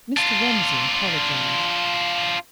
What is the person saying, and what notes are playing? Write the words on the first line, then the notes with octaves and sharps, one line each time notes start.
Mr. Romsey apologized.
D4 F4